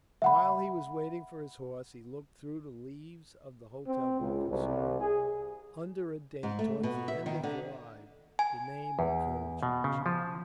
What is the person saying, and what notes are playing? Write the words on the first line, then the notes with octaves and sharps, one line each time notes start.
While he was waiting for his horse he looked through the leaves of the hotel book, and saw under a date towards the end of July the name of Colonel Trench.
E5 F#5 B5
C4
C#2
C2
G#4
G#2
A3
B2
E5
D#3
D3
G#5
E2
B2
C#3
F3